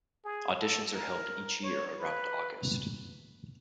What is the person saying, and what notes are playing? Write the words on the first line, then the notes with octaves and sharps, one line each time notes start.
Auditions are held each year around August.
G#4
A4
A#4
C#5
B4